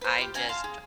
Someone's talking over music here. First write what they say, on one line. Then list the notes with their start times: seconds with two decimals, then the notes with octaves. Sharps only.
I just
0.01 B4 C5
0.18 F4 G4
0.34 C#4 F#5 G#5 A#5
0.49 F5 A5 C6
0.64 G#4